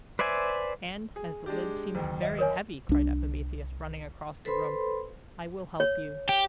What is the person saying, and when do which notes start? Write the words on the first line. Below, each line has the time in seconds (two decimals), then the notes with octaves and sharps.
"And, as the lid seems very heavy," cried Epimetheus, running across the room, "I will help you!"
0.19 B4 C5 D5 E5 G#5
1.16 G#4
1.46 G#3 D4 G4
1.95 F#1 D#2
2.22 D#5 E5
2.39 A#4 C#5 G#5
2.89 C2 D4
4.45 A4 B4 C5 B5 C6
5.80 C#5
6.29 G4